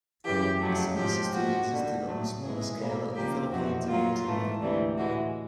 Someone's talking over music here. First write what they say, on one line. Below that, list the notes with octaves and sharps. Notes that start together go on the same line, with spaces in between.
A similar system existed on a smaller scale in the Philippines and Puerto Rico.
F#2 C#3 E3 G4
F2 C#3 F#3 A3
G#2 F3 G#3 G4
A#2 F3 G#3 F#4
D#2 D3 G3
A2 F#3 A3
G#2 E3 G#3 G#4
B2 G3 A#3
D#2 C#3 F3 A#3 G4
F2 C3 E3 F#4
A#2 F#3 A#3 F4
G#2 E3 A3
D2 C3 E3 G3
A2 E3 G#3 F#4